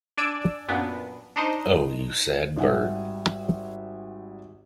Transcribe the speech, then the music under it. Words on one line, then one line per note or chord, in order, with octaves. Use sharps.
Oh, you sad bird!
D4 D5 G#5 E6 D7
F#2 A#2 B3 D4
D4 D#4 C5 D#5
G#1 G3 E5 F#5 G#5